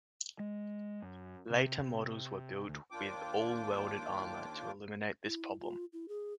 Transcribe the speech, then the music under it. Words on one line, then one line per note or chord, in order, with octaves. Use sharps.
Later models were built with all-welded armor to eliminate this problem.
G#3
F#2
C3
D2
D#2 A#3 D4 F4 G5 D6
E4
F4
E4
G#4